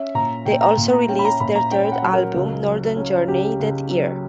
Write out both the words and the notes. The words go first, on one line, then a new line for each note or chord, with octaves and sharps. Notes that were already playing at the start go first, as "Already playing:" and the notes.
They also released their third album, "Northern Journey", that year.
Already playing: C#4 E5
A#2 A#5
A#2 G5
A#5
A#2
A#5
C#4 G5
B5
A#5
A#2 B5
A#5
C#4 G5
F#5
F#3
A#4
C#2
F#3
C#4
C#2 G4
C#2
F#3